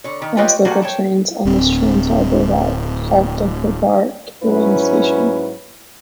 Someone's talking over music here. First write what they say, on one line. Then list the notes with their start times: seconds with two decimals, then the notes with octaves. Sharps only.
Fast local trains on this trans-harbour route halt at Kopar Khairane station.
0.04 D3 C#5
0.22 D#3
0.37 F4 G4 B4 C#5 D#5 G5
0.65 F#3 G3 A3 A#3 F#4
0.82 C#5 G5 A5
1.45 D1 C4
4.43 G#2 F#3 C#4 E4 B4